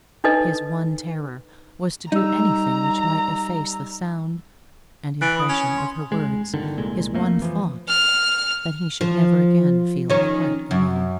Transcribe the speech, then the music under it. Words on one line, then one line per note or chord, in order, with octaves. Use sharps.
His one terror was to do anything which might efface the sound and impression of her words; his one thought, that he should never again feel quite alone.
D4 D#4 A4 B4 D#5
G3 D#4 A#5 E6
E3 F#6 A6 D7
B5 D#6
C#4
C6
D#1 G#3
G1 D3 D#3
C2 A#2 G#3
F2 A3 A#3
E3 F3
F6
F3
D#3 C#4
F#2